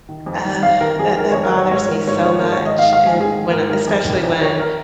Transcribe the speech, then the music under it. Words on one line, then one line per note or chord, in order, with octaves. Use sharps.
Uh, that that bothers me so much, and, when I especially when,
D#3
F2
D#3
F2 F5
D#3 A#4
F2 G#4
D#3 A#4
F2 C#5
A#4
D#3 C#5
G#2 C#5
D#3 A#4
G#2 C#5
D#3 C#5
G#2 A#4
C#5
D#3 D#5
G#2 F5
D#3 F5
G#5
G#2
G#4
D#3
G#2 A#4
D#3 A#4
F2
D#3
F2
D#3 C#5
A#4